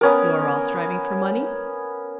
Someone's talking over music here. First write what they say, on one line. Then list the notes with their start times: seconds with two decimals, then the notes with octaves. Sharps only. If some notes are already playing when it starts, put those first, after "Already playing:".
You are all striving for money.
0.01 B3 C#4 A#4